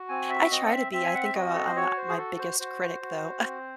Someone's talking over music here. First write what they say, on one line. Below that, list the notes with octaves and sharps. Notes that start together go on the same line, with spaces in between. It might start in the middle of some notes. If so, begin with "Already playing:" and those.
I try to be, I think I I'm no my biggest critic, though.
Already playing: F#4
C4 G#5
E5
C4 D#5
F#5
E5
C4 E5
G#5
F#5
E5
F#4 D#5
A4
C5
F#4 C#5
C5
G#4
F#4 A4
C5
F#4 C5
F#4
C4